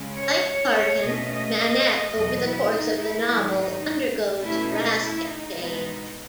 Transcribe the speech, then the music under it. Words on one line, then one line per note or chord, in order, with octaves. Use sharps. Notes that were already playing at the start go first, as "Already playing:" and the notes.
Like Carton, Manette over the course of the novel, undergoes drastic change.
Already playing: C#3 G#3 C#4
C#5
C#5
B2 A3 C#4 D#5
D#5
D#5
E2 B2 F#3 B3 D#5
E4
D#4
E4
G#2 D#3 F#3 A3
D#4
B2 A3 C#4 E4
D#4
E4
D#4
B2 G#3 B3